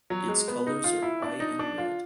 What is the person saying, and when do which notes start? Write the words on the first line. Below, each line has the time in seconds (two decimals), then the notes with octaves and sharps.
Its colors are white and red.
0.10 F#3
0.28 G#3
0.48 B3
0.67 D#4
0.84 F4
1.03 E4
1.22 D4
1.40 D#4
1.59 D4
1.78 F4